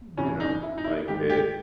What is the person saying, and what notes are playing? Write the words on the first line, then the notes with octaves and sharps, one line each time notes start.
you know, like, it, um,
E2 C#3 E3 C#4
D#4
E4
D#4
E4
G#2 D#3 G4
G4